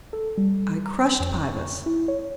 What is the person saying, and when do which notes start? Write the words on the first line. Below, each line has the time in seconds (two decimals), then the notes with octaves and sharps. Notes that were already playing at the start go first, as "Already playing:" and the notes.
I crushed Pybus.
0.13 A4
0.38 G3
0.85 A#5
1.20 F2
1.37 C#6
1.86 E4
2.08 C#5